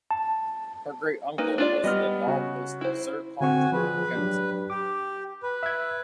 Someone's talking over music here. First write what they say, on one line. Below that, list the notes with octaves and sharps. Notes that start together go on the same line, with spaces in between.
Her great-uncle was the novelist Sir Compton Mackenzie.
A5
A#3 D#4 B4
D4 F4 D5
G3 B3 D#5 F6
C#3 F#4
E4 C5
D3 C4 F#4 G#5 C#6
F3 F4 G#4 B4
F#3 D4 G4
G4 D6
B4
E5 G#6